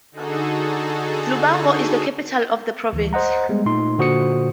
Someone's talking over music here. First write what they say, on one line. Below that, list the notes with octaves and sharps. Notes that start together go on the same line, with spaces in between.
Lubango is the capital of the province.
D3 D#4 F#4 G#4 A4
D2 E3
C5 D#5 F#5 A#5
G3 G#3 B3
A#2 A3 D#4 C6
A#2 D3 F#4 C5 D#6 C#7